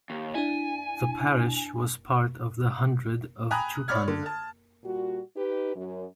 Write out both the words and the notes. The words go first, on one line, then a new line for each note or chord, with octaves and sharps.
The parish was part of the hundred of Chewton.
D#2
D4 E4 G#5
G5 G#5 A#5 B5 D#6 F#6
C#5 D5 B5 F6 G#6
D3
A5
A#2 G3 F4 F#4
D#4 G4 B4
F#2